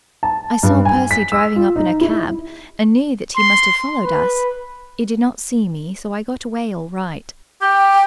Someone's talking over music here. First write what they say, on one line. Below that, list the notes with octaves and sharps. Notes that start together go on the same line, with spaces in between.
I saw Percy driving up in a cab, and knew that he must have followed us. He did not see me, so I got away all right.
A5
G2
G#5
B6
E6
F4
D#4
E4
C6
B4
G4 G5